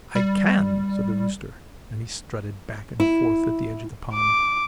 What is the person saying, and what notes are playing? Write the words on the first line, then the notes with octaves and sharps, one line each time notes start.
"I can," said the rooster, and he strutted back and forth at the edge of the pond.
G3
E4
D6